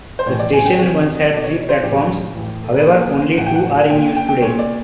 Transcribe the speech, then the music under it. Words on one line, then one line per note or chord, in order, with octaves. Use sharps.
The station once had three platforms, however only two are in use today.
C5
A2 E3 C#5
D5
G#5
G5
C3 E3 C#5
B2
D5
C#5
C#5
C5
A2 E3 G4
A2 E3
A4
A#4
B4
A#2 C5
A2 E3 F#5
G5
F#5
A#2 G5
G5
G5
G5
A#2 C#5
D5